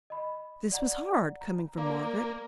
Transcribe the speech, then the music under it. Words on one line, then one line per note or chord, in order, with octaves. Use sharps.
This was hard, coming from Margaret.
D#5 B5
D5 F#5 A#5
A#5
A#3 D5 F5 A#5